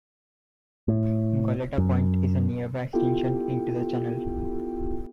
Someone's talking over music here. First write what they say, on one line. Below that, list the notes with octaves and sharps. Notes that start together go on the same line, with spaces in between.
Goleta Point is a nearby extension into the channel.
A2
F#2
B3 E4 F4 G4 A4 G5